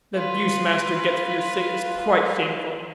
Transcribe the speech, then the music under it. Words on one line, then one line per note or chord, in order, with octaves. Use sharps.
The abuse master gets for your sake is quite shameful.
F4 B4